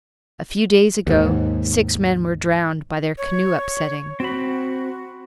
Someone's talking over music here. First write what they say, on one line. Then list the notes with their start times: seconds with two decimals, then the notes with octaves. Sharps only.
A few days ago six men were drowned by their canoe upsetting.
1.07 D#2 G#2
3.18 C#5
4.20 C4 F#4 B5